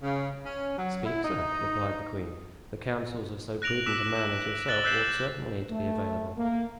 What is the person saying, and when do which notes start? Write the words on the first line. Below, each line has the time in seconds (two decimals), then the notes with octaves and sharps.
"Speak, sir," replied the queen; "the counsels of so prudent a man as yourself ought certainly to be available."
0.02 C#3
0.44 C#4
0.77 F#3
1.04 E4
1.23 D#4
3.62 F#6 A#6 D7 F7 F#7
3.86 D6 E6 F#6 B6 E7 F7
4.15 E6 E7
4.68 F#6 A6 B6 D7 F#7 G7
4.84 E6 F#6 G6 B6 C7 E7
5.71 A3
6.38 A#3